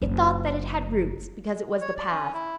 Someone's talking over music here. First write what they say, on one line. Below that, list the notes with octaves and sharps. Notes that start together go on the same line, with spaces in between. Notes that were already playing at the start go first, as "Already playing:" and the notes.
It thought that it had roots, because it was the past.
F#1
C#5
D5
C#4
E4